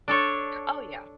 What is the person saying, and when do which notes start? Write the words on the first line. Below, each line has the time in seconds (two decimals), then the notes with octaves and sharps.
Oh, yeah.
0.08 D4 A4 C#5